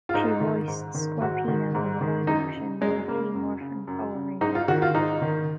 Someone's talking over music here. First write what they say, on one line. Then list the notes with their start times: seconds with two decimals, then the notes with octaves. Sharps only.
She voiced Scorpina on the live-action "Mighty Morphin Power Rangers".
0.09 F4
0.14 G#2 D#4
0.40 D#3
0.68 G#2
0.95 D#3
1.21 G#2 F#4
1.48 D#3
1.75 G#2
2.01 D#3
2.27 F#2 D#4
2.55 C#3
2.81 F#2 G#3
3.08 C#3 A#3
3.35 F#2
3.61 C#3
3.87 F#2
4.15 C#3
4.41 G#2 D#4
4.55 F4
4.68 D#3 F#4
4.82 F4
4.95 G#2 D#4
5.22 D#3